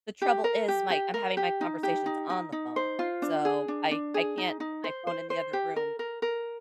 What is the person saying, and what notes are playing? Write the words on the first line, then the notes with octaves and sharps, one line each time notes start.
The trouble is, my I'm having my conversations on the phone, so I I can't put my phone in the other room.
G4
A#4
G4
G4
A#4
G4
D#4
G4
D#4
D#4
D#4
C5
F4
D4
G#4
D4
D4
G#4
D#4
D#4
C5
C5
C5
G4
A#4
A#4
A#4